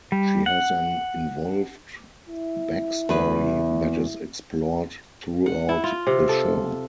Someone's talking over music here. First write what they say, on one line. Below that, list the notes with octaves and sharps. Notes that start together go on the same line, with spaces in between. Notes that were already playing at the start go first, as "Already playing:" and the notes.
She has an involved back story that is explored throughout the show.
G3
F#5
E4
E2 B4
F#5
E4
F4
C3
A4